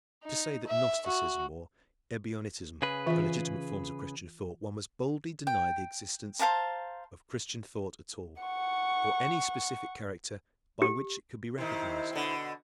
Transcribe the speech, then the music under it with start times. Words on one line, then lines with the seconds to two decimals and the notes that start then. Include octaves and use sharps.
To say that gnosticism or ebionitism are legitimate forms of Christian thought, one must boldly deny the existence of Christian thought at all, or any specific character by which it could be recognized.
0.23 D#4
0.67 E5
1.06 F#4
2.82 C#3 G#4 B4
3.06 E3 F4 E5
5.47 G5
6.39 C5 F5 A5 A#5
8.42 F#5 C#6
10.82 G4
11.58 C3 D#3 E4 C5
12.13 B2 D3